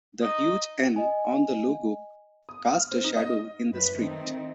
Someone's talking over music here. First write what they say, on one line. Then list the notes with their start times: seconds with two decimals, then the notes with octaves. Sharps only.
The huge N on the logo cast a shadow in the street.
0.22 D#4
0.96 D#5 G#5
2.49 D#6
2.74 F6
2.92 C4
3.04 D#4
3.17 D#5
3.71 F#2 A2 B4
4.00 D#3 A3 C4 D#4